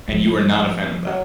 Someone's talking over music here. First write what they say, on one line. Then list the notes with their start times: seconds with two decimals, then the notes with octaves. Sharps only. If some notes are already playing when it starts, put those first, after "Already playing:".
And you were not a fan of that.
0.08 F3
1.07 F#3